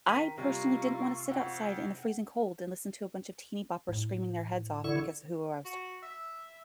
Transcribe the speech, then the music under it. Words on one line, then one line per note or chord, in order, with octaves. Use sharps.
I personally didn't wanna sit outside in the freezing cold and listen to a bunch of teenyboppers screaming their heads off because of who I was
D#3 B6 D#7
C3 G3 A#3 F4 C#6 E6
F2 F#5 G5
A2
D3 E4 C#6
F#4
E5